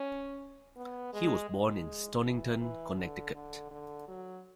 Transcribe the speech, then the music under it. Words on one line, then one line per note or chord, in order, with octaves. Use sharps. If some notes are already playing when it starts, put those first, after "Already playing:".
He was born in Stonington, Connecticut.
Already playing: C#4
B3
G#3
G#3
E3
E3
D3
D3
D3
F#3